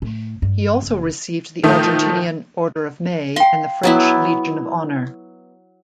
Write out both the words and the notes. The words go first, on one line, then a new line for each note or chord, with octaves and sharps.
He also received the Argentinian Order of May and the French Legion of Honour.
A2
G2
F#1
A#2 D#3 F3 A3 D#6
F5 G5 C6
F#3 B3 E4